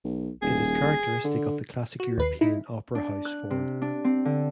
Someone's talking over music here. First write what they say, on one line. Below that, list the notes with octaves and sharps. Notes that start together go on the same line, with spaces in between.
It is characteristic of the classic European opera house form.
B1
D#1 G#4
D3
F#4
D#2 B4 C7
D#4 E4
D4
F#6
C3
D4
C4
D3